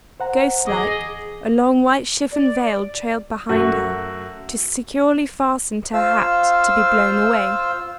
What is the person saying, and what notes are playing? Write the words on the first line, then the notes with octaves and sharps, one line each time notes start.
Ghost-like, a long white chiffon veil trailed behind her, too securely fastened to her hat to be blown away.
C5 F#5 A#5
E2 G#4 D#5 D6 D#6
D5
F#2 A3 F#4
F4 C5 F5 E6